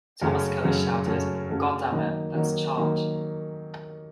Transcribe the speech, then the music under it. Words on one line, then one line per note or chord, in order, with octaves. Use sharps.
Thomas Kelley shouted "God damn it, lets charge".
F#2 C#3 F#3 A3 C#4
F#2 C#3 F#3 A3 C#4
F#2 C#3 F#3 A3 C#4
F#2 C#3 F#3 A3 C#4
D#3 F#3 A#3 D#4
D#3 F#3 A#3 D#4
D#3 F#3 A#3 D#4